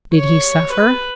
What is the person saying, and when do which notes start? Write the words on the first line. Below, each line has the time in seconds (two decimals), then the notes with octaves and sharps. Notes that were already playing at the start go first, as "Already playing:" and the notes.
Did he suffer?
0.14 C#5
0.73 B4